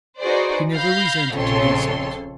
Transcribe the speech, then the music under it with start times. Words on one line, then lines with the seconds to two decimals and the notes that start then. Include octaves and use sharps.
He never resented an insult.
0.20 D#4 F#4 G#4 B4 C5 D5
0.74 F5 B5 G6 A#6
1.34 A#1 F2 C#3 A4 C#5 C6